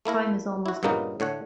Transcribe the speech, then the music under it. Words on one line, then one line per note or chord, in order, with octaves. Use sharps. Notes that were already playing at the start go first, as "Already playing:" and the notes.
Time is almost up.
A3 A#3 E4 A#4
E4 F#4
G2 A#2 C#3 A#3 B3 D#4
A2 D3 C#5 F#5